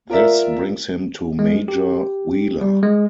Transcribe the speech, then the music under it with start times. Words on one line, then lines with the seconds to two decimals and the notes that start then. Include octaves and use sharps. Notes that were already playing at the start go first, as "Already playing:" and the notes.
This brings him to Major Wheeler.
0.10 F4 A#4 D5 E5
1.39 G#3
1.68 G4
2.61 G3
2.83 G#3